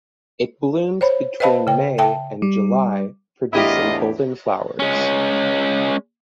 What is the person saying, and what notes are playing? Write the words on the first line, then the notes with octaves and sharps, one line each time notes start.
It blooms between May and July producing golden flowers.
C5 C#5 B5
B4 C5 D#5 F5 A5 B5
C#3 G5
E5 G5 A5
G3
E2 A2 D4 E4 F4 G4 A#4 D#5
G#3 C#4